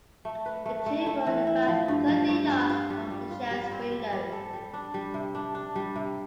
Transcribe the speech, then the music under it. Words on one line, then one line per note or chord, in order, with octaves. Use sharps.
The two were about thirty yards from Mitchell's window.
A3
B4
A3
A3
A3
E3
E4
F3
G2
F3
G2
C4
F4
G3
G3
F4
G3
C4
G3
G3
A4
G3
D4
G3
C3
D4
D4
G3
C3